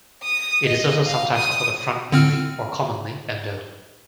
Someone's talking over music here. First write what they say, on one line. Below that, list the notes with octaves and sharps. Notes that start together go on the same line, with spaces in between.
It is also sometimes called a front wheelie, or commonly endo.
D#6
D#5
F5
D#6
D3 C4 F6